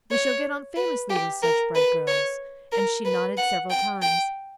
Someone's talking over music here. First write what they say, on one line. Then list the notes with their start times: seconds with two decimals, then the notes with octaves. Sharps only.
"We shall get on famously with such bright girls," and she nodded several times.
0.11 C#5
0.76 B4
1.09 G4
1.42 A#4
1.75 B4
2.07 C#5
2.72 A#4
3.05 B4
3.37 F#5
3.70 G5
4.02 G5